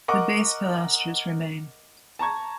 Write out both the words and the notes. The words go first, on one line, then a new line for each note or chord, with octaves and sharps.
The base pilasters remain.
A#4 D#5 F#5 C#6 D6
A5 A#5 C#6 G#6